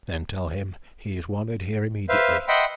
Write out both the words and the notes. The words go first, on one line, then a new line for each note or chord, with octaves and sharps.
"Then tell him he is wanted here immediately."
B4 C5 E5 F5
D#5 E5 F#5 G5 B5 C6